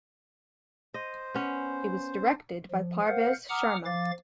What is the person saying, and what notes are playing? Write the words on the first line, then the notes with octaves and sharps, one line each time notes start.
It was directed by Parvez Sharma.
C5 D#5
B3 C#4
F3
A#4 C5 F5 F#5
F#5 A#5 D6 D#6 F6
F3 F5 D6 A6